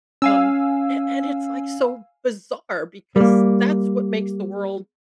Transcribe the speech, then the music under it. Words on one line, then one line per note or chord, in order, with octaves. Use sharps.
Um, and and it's, like, so bizarre because that's what makes the world
C#4 F5 G#5 E6
G3 A#3